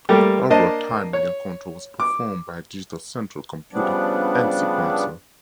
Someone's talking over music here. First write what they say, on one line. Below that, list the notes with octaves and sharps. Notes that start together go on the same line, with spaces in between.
Overall timing and control was performed by a digital Central Computer and Sequencer.
G3 A3 A#3 G4
A#3 D4 C5 D#5 A5
C#5
D6
C#3 F3 G3 B3 D4